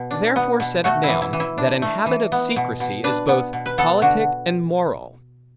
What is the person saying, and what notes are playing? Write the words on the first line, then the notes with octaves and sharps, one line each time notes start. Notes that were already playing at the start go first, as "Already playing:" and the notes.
Therefore set it down, that an habit of secrecy, is both politic and moral.
Already playing: B2
D4
B3
B2
A3 F#4
E3 E4
E4
E3
E4
D4
A3
E3
B3
B2
B2
D4 B4
B3
B2
B4
B3 A4
D3 F#4